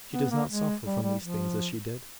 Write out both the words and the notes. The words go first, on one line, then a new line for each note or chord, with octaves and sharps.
She does not suffer from these things as she did.
B3
A#3
G#3
G3
G3
F3